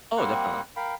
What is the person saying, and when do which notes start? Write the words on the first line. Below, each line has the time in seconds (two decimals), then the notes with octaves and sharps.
Oh, definitely.
0.17 G3 A#3 C4 F#5
0.76 A#4 F5 G5 B5